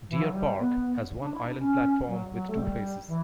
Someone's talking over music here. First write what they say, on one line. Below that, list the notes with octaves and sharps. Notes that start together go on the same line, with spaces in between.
Deer Park has one island platform with two faces.
E3
F#3
G3
B3
D4
E4
D4
C#4
F#3
F#3
A3
G3
E3